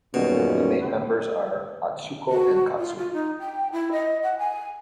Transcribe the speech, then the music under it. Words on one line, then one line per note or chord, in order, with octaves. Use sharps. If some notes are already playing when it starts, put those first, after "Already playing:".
The main members are Atsuko and Katsu.
D#1 F#2 B2 C#4
F#4
F4
F4
D#4
G5
E4
D#5
F#5
G#5